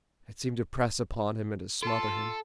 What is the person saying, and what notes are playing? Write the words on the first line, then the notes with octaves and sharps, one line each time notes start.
It seemed to press upon him and to smother him.
F4 A4 A5